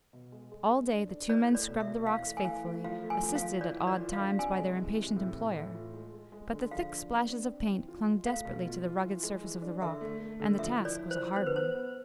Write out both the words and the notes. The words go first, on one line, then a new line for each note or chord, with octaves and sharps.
All day the two men scrubbed the rocks faithfully, assisted at odd times by their impatient employer; but the thick splashes of paint clung desperately to the rugged surface of the rock, and the task was a hard one.
B2
G#3
G#3
G#3
D4
D4
E4 D5
A3
D5
B2
E5
B2
E3 F5
A3
G#5
E3 F5
A3
F3 F5
A3
G#5
F3
F5
F3
E3 D5
F4
D5
F4
F5
D4
C3 G#5
G#3
E3
C3
A2
E3
A2
F4
G#3
G#3
G#3
D3
F3 F5
D4
B3
D4
C4
E3
F4
G#3
A3 F5
B2
F4
F4
E3
G#3
E3
D4
D3 E5
A3
A3
D3
F3 E5
E4
D5
E4
C5
F3
B3 C5
B4
B3 C5
B3